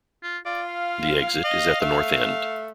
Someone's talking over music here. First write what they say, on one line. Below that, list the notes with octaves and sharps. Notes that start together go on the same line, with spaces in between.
The exit is at the north end.
F4
F4 D5
F5
D#5
A3